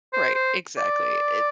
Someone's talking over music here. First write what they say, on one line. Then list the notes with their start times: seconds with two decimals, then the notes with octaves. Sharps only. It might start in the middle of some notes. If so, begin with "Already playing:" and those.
Right. Exactly. It,
0.13 C5
0.35 C5
0.78 D5